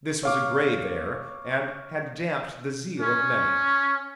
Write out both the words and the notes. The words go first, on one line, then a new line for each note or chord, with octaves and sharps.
This was a grave error, and had damped the zeal of many.
C#5 F5 D6
C#4